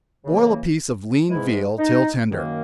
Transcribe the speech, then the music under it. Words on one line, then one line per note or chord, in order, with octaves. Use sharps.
Boil a piece of lean veal till tender.
C#3 E3 A#3
G#2 E3 G#3 E4
D#4
F#2 D#3 A#3